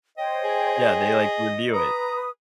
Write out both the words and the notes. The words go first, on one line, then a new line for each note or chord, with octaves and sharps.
Yeah, they, like, review it.
C5 C#5 D#5 G5
G#4
B4 A#5 D#6